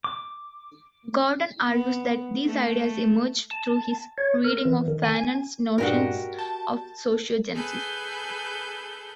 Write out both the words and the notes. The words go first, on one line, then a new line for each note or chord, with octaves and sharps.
Gordon argues that these ideas emerged through his reading of Fanon's notions of sociogenesis.
D6
B3
A3
A5
C#5
A#4
E3
D#3
G#5
G2 A#2 G#3 F#4 G4 A#4
A5 G6 A6
G#4 A4 B4 G#5 G6